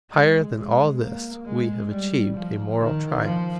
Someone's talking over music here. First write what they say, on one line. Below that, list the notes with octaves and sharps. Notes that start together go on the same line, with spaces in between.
Higher than all this, we have achieved a moral triumph.
G#3
G#3
A#3
G#3
G3
F3
D#3
F3